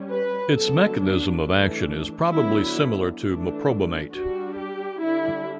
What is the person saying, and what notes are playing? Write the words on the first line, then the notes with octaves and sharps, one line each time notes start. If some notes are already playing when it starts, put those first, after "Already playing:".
Its mechanism of action is probably similar to meprobamate.
Already playing: G3 C#4
B4
D3 F#3 B3 A4
D4
E3 A3 D4
D3 F#3 B3 D4 E4
E3 A3 D4
G3 D4 F#4
G4
D3 G3 D4 E4